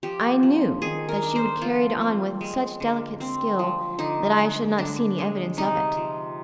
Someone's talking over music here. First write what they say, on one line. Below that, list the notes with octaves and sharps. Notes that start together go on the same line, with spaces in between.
I knew that she would carry it on with such delicate skill that I should not see any evidence of it.
F3 G4
F3
D#3 G#4
A#4
D4
C5
F3 F4
C4
G#3
D3
C4
F3
D3 D#4
D3
D3 D4
G#3
C3 D#4
F3